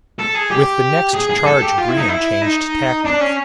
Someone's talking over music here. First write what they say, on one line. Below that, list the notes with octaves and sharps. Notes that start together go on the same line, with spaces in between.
With the next charge Brion changed tactics.
A4
G#4
G4
G#4
G#4
A4
G4
F4
E4
D#4
E4
D#4
D4
C#4